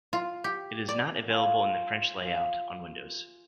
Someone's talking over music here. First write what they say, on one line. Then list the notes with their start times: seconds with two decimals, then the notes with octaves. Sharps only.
It is not available in the French layout on Windows.
0.13 F4
0.44 G4
0.89 D5
1.28 F4 G#5
2.22 F5